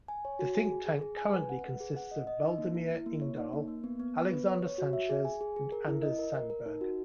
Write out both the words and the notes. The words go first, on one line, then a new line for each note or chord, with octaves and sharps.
The think tank currently consists of: Waldemar Ingdahl, Alexander Sanchez, and Anders Sandberg.
G#5
C#5
F#4
G#5
G#4
G#4
G#4
G#5
B4
F#5
B4
G#4
F#5
D#5
D#5
D#4
A#3
E4
E4
A#3
C#5
D#4
A#3
A#3
B3
B3
B3
B4
C#5
C#5
F#4
E5
G#4
G#5
G#4
G#4
A#4
E4
D#5
A#4
A#4
A#4
D#4
F#4